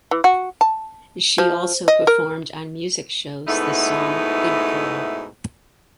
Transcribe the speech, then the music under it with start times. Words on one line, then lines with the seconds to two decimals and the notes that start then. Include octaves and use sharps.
She also performed on music shows the song Good Girl.
0.11 E3
0.24 F#4
0.61 A5
1.38 F3
1.88 D#5
2.07 A#4
3.48 G#2 B2 A3 B3 D#4 E4